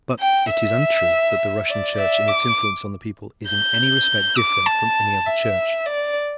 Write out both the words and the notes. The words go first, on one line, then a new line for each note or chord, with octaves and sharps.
But it is untrue that the Russian Church in its influence on the people is in any respect different from any other church.
G5
E5
D5
E5
D6
G6
D6
A5
E5
D5